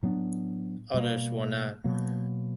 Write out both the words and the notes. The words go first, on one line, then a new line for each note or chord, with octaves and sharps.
Others were not.
A2 F#3 B3 D4
B2 G3 A#3
B2 F#3 A#3